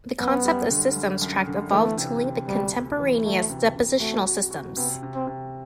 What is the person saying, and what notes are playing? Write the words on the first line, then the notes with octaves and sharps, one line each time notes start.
The concept of systems tract evolved to link the contemporaneous depositional systems.
F#2 B3
G3
D3
F#2
F#2
D3
E3 A3
C3
C3
D2 G3
D2
E3
A3 F#4
C3
C3
A3 F#4
F#4
F#4
C3 B3
C3
C4
C3